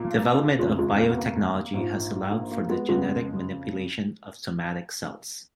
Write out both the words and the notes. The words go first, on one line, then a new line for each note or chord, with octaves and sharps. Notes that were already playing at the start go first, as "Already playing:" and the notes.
Development of biotechnology has allowed for the genetic manipulation of somatic cells.
Already playing: B1 A#2 A#3
F1 D#2 C#3 G#3
G#3
A#3
B3
A#3
A#1 G#2 F3
A#3
A#3
G#3 B3
F2 C#3 G#3 B3